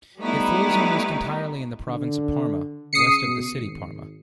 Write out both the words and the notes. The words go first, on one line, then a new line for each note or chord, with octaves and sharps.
It flows almost entirely in the province of Parma, west of the city Parma.
G3 A3 B3 D#4 E4
D3
C#3 D#6 C7 C#7
B2
G#1